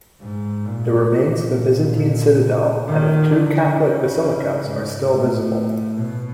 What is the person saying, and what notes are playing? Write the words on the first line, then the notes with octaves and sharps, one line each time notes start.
The remains of a Byzantine citadel and of two Catholic basilicas are still visible.
G#2
A#2
A#2
D#3
D3
C#3
G#2
A2
B2